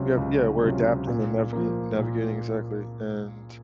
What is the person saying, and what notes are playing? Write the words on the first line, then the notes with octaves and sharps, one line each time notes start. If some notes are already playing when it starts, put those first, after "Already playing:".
Yep, yeah, we're adapting and naviga navigating exactly, and
Already playing: C#2 C3 F#3 C#4 F4
C#2
C3 F#3 C#4 F4
A#2
F3 A#3
A#2